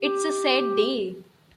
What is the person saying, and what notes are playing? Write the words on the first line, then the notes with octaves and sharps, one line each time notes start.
It's a sad day.
G4